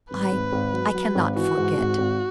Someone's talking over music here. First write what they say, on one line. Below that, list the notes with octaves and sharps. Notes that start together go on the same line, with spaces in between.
"I--I cannot forget."
G#1 B4
G#1
G#1
F#3
F#3
G#1
E3 F#4
G#2
G#1
G#1